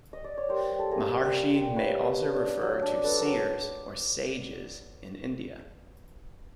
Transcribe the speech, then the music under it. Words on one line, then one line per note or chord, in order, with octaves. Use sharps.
"Maharshi" may also refer to "seers" or "sages" in India.
D#5
D5
C#5
G3 A#4 C5
G3
A4
A#3 G#4 A#4
G3
A#3
G3
A#3 B4 C#5
A#3
D4
D4
F#3
D4
D4 A4 B4
F#3 A#4